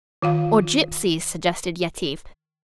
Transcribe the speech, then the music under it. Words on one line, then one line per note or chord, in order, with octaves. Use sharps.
"Or gypsies" suggested Yetive.
D#3 F4 F5